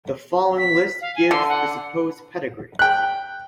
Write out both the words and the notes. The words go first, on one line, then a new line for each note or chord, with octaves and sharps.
The following list gives the supposed pedigree.
B6
F5
G#5
D3 C6
F#5
G5 F#6